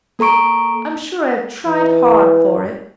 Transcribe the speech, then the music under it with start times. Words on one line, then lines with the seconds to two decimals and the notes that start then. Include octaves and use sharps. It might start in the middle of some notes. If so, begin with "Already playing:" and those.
I'm sure I have tried hard for it.'
0.19 A#3 A4 A#5 C#6 D7
1.67 E3